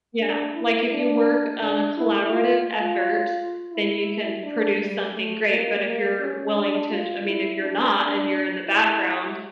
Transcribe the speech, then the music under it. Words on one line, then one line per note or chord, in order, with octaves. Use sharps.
Yeah, like if you work on a collaborative effort, then you can produce something great, but if you're willing to to I mean, if you're not, and you're in the background,
D4
E4
D4
D4
E4
F4
F4
E4
D4
G3
A3
A#3
A#3
C#4
D4
F4
E4
D4
D4
E4